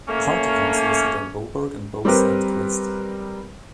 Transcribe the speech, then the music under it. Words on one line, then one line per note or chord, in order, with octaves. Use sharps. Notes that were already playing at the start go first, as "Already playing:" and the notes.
Party councilors are Dan Boberg and Bo Sandquist.
A3 A#3 C#4
G3 C4 G4 A#4 B4